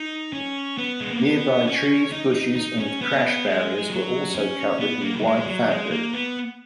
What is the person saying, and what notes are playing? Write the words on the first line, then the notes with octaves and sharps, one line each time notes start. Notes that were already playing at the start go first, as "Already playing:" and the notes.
Nearby trees, bushes and crash barriers were also covered in white fabric.
Already playing: D#4
C#4
B3
G#3
A#3
B3
C#4
D#4
D#4
D#4
C#4
B3
G#3
F#3
C#4
B3
A#3
F#3
G#3
F#3
G#3
A#3
B3